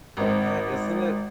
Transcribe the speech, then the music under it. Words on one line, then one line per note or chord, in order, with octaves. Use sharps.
Yeah, isn't it?
G#1 C4